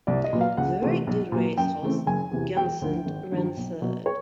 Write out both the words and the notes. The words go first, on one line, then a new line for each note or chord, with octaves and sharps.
The very good racehorse Gunsynd ran third.
C2 D5
D#5
A#2 F#3 B3
F5
C#2 F#5
C3 E3 A3 C4
B1
A#2 F#3
F#2 G5
C#3 E3 A3 C4
F#1 G#5
E2 C3 E3
E1 G5
D2 D3 F3
G#1
G2 D#3 F#3
B1
B2 F#3 B3
C#5